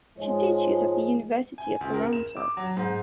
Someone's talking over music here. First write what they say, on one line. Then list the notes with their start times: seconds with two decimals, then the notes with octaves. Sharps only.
She teaches at the University of Toronto.
0.17 G#2 F3 G#3 C#5 G#5
1.58 G#5
1.81 C#2
1.94 A#4
2.13 E7
2.37 D6
2.57 F#3
2.77 G#2